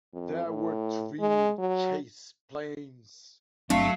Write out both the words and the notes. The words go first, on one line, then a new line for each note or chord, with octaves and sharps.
There were three chase planes.
F2
A2
G#3
F#3
G1 F#3 A3 C4 D4 E5 F5